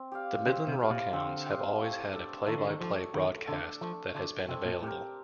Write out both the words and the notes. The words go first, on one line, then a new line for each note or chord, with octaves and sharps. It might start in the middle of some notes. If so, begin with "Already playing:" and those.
The Midland Rockhounds have always had a play-by-play broadcast that has been available.
Already playing: C4
G4 D5 F5
D3 C4
C3
G4 D5 F5
A#2
D3 C4
G4 D5 F5
A3
D4 A4
D#3 A3
D3
D#3
F3 D4 A4
D#3 A3
D3 D4 A4
F3 A3
D3 D4 A4
C3 C4
A#2
A2 G4 A#4